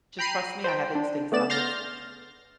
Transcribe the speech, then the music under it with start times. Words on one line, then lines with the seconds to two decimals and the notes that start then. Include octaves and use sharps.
"Just trust me. I have instincts on this
0.19 G5 A#5 B5 C7 D#7
0.64 C5 G5
0.95 D4
1.32 A3 B3 D5 E7
1.50 C6 F6 G6 A6 A#6